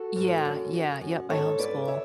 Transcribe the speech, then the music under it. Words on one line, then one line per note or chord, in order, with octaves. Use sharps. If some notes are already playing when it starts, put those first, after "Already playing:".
Yeah, yeah yep, I homeschool.
Already playing: F#4 A4
G#2
F#2
F#2
F#2
G#2 A4 C#5
G#2 B4 D5
C#5 E5